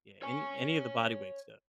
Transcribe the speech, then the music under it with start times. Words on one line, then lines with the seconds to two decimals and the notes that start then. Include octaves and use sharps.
Yeah, any any of the body weight stuff.
0.22 C#5 G#5